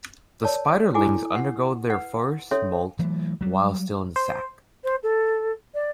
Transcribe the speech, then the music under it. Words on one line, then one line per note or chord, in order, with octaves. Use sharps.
The spiderlings undergo their first molt while still in the sac.
A#4 C#5 D5 A5
E4 F#4 A4 G#5 D6
F#5
B4 F#5
C#4 A4 C#5 E5 C6
E3 F#3 A3
F#3 G3
C5
C5
A4
D5